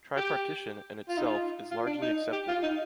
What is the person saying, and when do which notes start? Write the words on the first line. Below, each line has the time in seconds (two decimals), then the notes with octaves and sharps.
Tripartition, in itself, is largely accepted.
0.16 G4
1.08 F4
1.17 D#4
1.26 F4
1.71 F4
1.86 D4
2.01 D#4
2.32 G4
2.48 F4
2.62 D#4